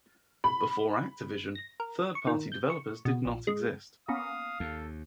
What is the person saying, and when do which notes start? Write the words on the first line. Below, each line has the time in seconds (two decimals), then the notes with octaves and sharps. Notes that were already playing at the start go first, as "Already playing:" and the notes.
Before Activision, third-party developers did not exist.
0.44 B5
1.55 A#6
1.80 A#4
2.15 C#6
2.27 D#3
2.52 G6
2.70 C#6
3.05 B2
3.25 A#1
3.47 G#3
4.08 A#3 B3 C#4 F5 D#6
4.60 D#2 A4